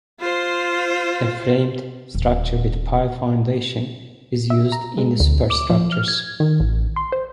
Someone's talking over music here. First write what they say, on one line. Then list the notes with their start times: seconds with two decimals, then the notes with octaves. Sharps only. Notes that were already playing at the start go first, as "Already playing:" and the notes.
A framed structure with pile foundation is used in the superstructures.
0.20 F4 C5
2.14 D#1
4.50 E5
4.72 A#5
4.98 G#3
5.20 D2
5.50 D6
5.70 F3
5.92 F6
6.08 G#6
6.40 D#3
6.60 A1
6.96 C6
7.12 C5